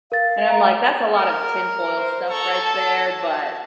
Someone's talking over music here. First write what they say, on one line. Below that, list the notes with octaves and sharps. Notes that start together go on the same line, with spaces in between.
And I'm, like, "That's a lot of tin foil stuff right there", but
A#4 F5 A6
A#5
A#4
C5
A4 A#5 C#6
A5
F#4 A5